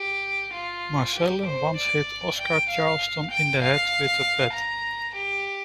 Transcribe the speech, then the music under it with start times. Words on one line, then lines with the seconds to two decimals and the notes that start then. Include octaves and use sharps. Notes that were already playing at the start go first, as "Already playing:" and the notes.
Marcelle once hit Oscar Charleston in the head with a bat.
Already playing: G4
0.53 F4
1.15 G4
1.46 C5
1.76 D5
2.38 G5
2.69 F5
3.31 G5
3.61 F5
4.54 A#5
5.15 G4